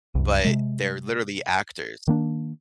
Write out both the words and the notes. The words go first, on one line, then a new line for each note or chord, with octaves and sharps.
but they're literally actors.
C2 F#2
C3 G#3
D#3 A#3 D4